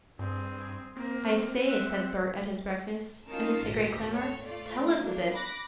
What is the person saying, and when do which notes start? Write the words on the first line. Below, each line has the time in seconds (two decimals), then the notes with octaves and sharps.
"I say," said Bert at his breakfast, amidst a great clamour, "tell us a bit."
0.19 G2 C4 G#4
0.96 A#3 C4 A#4
1.68 E5 F#5
3.28 C#4 D#4 F4 A#4 A5
3.62 G#1 D2 A#2 G4 A#6 B6
4.11 A4 C#5
4.42 A3 F4 D5
5.00 F#3 A#3 D4
5.32 B5 D6 F#6 A#6